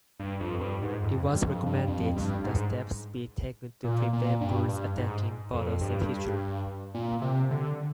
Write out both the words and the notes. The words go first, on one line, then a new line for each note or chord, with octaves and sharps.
It was recommended that steps be taken to prevent birds attacking bottles in future.
G2
F2
G2
G#2
F2
G2
F2
G2
F2
G2
G#2
A#2
A#2
G2
G2
G#2
F2
G2
A#2
C3
D3